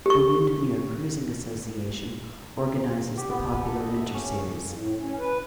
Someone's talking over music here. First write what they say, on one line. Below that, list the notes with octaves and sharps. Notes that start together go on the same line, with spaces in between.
The Windermere Cruising Association organises the popular Winter Series.
G4 C#6
G4
B3
B4
A4
D#5
E5
C#4
F2
A2
C#4
B4